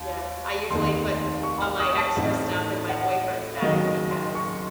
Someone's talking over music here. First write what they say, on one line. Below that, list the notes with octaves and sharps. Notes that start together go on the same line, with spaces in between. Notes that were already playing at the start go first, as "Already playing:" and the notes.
Yes, I usually put all my extra stuff in my boyfriend's bag because
Already playing: D#2
F1 D#2 D#3 A#3 D#4 C6
C#6
F6
D#6
A5
A1 A2 A3 C4 D#4
F#5
F5
F#1 F#2 D#3 F#3 A#3 D#5
D#5
C6
C#6